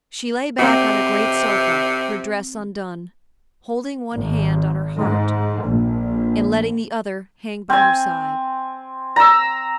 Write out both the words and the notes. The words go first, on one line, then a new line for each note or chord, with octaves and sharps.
She lay back on a great sofa, her dress undone, holding one hand on her heart, and letting the other hang by her side.
C3 C4 F#4
G#1
G#2
A#1
C4 G#5
A#5 E6